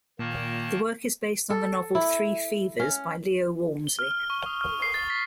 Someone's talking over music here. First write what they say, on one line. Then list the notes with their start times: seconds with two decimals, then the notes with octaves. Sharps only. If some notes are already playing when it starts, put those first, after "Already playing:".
The work is based on the novel "Three Fevers" by Leo Walmsley.
0.19 A#2 D#3 A#3 A5
1.50 A4
1.95 E4
2.80 C#4
3.87 G7
3.99 F6
4.11 F6
4.30 C#6
4.46 D#6
4.61 F6
4.82 C7
4.94 A6
5.10 B6